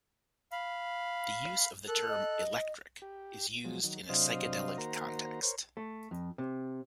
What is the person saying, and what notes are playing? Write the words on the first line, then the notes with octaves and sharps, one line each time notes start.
The use of the term "electric" is used in a psychedelic context.
F5 B5
A4 A#4 F#6
D#5
G4
F3 F#3 G#3
D#3 F#3
C3 F#3 D4 C5 D#5 F5
D#3 A#3 F#4 C5 A#5
A#4 C5 C#5
A3
F2
C3